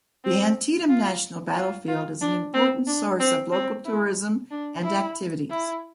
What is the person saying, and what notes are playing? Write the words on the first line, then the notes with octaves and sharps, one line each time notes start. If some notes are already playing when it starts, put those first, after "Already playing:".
The Antietam National Battlefield is an important source of local tourism and activities.
C4
F4
F4
F4
D4
C4
D4
C4
C4
E4
D4
E4
E4